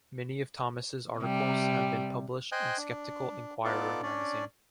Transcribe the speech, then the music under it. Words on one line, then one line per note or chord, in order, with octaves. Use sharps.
Many of Thomas' articles have been published in Skeptical Inquirer magazine.
C3 G3
C5 D#5 G5 G#5 F#6
D4
B3 D#4 F4 A4 D5 D6
C#4 D4 D5